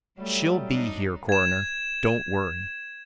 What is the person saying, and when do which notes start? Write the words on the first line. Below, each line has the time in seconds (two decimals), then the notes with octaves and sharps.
"She'll be here, coroner, don't worry."
0.17 F#3 G3 A3 G4
0.70 D4 D#4
1.29 G#6 E7